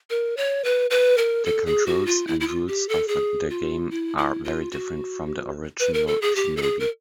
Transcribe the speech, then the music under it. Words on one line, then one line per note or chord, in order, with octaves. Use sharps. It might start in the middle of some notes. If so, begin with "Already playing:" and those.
The controls and rules of the game are very different from the original "Shinobi".
A#4
C#5
B4
B4
A#4
A4
G#4
F#4
F4
E4
E4
F4
G4
A4
G#4
F4
E4
E4
F4
F#4
B4
A#4
A4
G#4
G4
A4
G#4
A#4